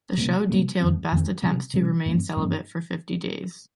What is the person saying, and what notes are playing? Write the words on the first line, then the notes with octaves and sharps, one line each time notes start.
The show detailed Best's attempts to remain celibate for fifty days.
C3 G3 A#3 C#4
C3 G3 A#3 C#4
F2 D#3 G#3 C4
F2 D#3 G#3 C4
C3 G3 C#4
C3 G3 C#4
G2 F3 A#3 C#4
G2 F3 A#3 C#4